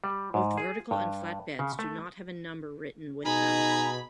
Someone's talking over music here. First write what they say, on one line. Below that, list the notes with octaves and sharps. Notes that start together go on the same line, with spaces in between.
Both vertical and flat beds do not have a number written with them.
G3
G#2
G#4
G2
C#3
A3
B2 D#4 G#4 A#5 B5